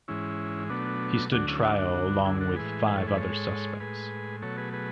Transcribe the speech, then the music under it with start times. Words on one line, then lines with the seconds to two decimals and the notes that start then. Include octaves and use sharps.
He stood trial along with five other suspects.
0.08 G#2 E3 G#3 C#4 E4
0.69 B2 F#3 A3 B3 D4
1.32 D2 D3 F#3 A3 D4 F#4
1.48 C#4 E4
1.63 D4 F#4
1.79 D4 F#4
1.94 D2 D3 F#3
2.25 E4 G#4
2.41 F#4 A4
2.56 A2 E3 G#3 G#4 B4
2.87 G#4 B4
2.97 A4 C#5
3.08 G#4 B4
3.18 G#2 G#3 A4 C#5
3.80 A2 G#3 G#4 B4
4.42 B2 F#3 A3 A4 C#5
4.58 G#4 B4
4.73 G#4 B4